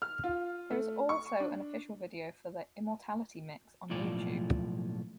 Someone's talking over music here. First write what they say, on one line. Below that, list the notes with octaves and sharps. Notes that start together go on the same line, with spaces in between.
There is also an official video for the "Immortality Mix" on YouTube.
F6
F4
A3
C#6
D4
B1 A2 F3 F4 D5